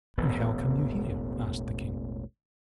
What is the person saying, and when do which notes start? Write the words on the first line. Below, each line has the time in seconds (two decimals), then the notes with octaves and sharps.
"And how come you here?" asked the king.
0.17 E1 A1 B3